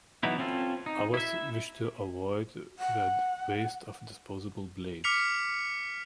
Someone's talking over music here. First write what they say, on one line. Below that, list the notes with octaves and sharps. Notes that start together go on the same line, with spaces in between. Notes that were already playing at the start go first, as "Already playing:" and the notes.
Others wish to avoid the waste of disposable blades.
E3 F#3 B3 D#4 E4
C4 C#4 F4 A4
D#4
E4 E5
F#5
D6 F6 B6 C#7 F7